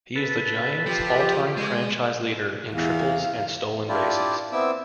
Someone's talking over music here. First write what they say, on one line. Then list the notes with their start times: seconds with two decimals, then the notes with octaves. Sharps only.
He is the Giants' all-time franchise leader in triples and stolen bases.
0.16 A4 B4
0.87 F3 G4
1.57 G#3
2.75 E2 F5
3.88 D4 E4 F4 G4 D5
4.52 B3 C4 E4 E5 D6 E6